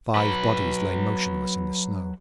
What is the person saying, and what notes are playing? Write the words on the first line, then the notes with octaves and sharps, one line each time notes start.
Five bodies lay motionless in the snow.
F#3 B4